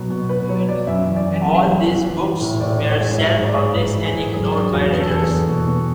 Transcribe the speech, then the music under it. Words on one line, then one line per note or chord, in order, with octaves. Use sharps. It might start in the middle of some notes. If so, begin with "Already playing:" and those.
All these books were self-published and ignored by readers.
Already playing: B2 F#3
B2
B2 B4
F#3 C#5
F#3 D5
F#2 E5
E3
D5
E3
F#2
E3
E3
E3
E3
A2
A2 D5
A2 D5
C#5
G#3
G#2 E5
G#2
C#5
D5
G#3
G#2 B4
E3
G#4
G#2
F#3 G#4
F#3 D4
E2 F#4
E2 B4
A4
G#4
E2 A4
E2
B2
B2